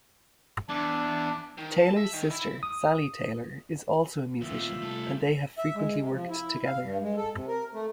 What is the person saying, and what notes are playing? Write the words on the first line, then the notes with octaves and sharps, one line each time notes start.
Taylor's sister, Sally Taylor, is also a musician and they have frequently worked together.
E2 E3 D4
D#3
A5
E5
D#3
E4
D#6
D#2 A#2 B3 C4 F4 E5
C3 G3 A3 G4 A4
E5
G#3
C3
F3
E4
F5
G2
G#3
A4
C3
A#4
A3